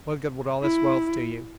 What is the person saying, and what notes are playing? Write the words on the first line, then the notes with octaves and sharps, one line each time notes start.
What good would all this wealth do you?
E4